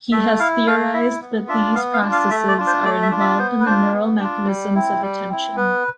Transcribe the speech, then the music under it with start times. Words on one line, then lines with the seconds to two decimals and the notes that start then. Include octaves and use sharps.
He has theorized that these processes are involved in the neural mechanisms of attention.
0.12 A3 E5
0.40 E4 F5
0.67 A3 F5
0.94 E4 E5
1.21 B3
1.48 D4 F4 E5
1.75 B3 F5
1.93 F5
2.02 D4 F4
2.12 F5
2.31 A3 E5
2.48 D5
2.58 D4 F4
2.67 C5
2.85 A3 D5
3.02 E5
3.11 D4 F4
3.20 E5
3.38 B3 C5
3.60 B4
3.66 D4 C5
3.70 F4
3.93 B3
4.20 D4 F4
4.47 G3
4.75 C4 E4
5.02 G3
5.29 C4 E4
5.56 B3 B4